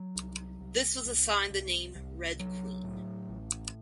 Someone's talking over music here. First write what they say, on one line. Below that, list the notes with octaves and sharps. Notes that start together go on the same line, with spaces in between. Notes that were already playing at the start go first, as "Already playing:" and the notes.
This was assigned the name "Red Queen".
Already playing: F#3
C2
C2
C2
C2
C2
F#3
A2
A1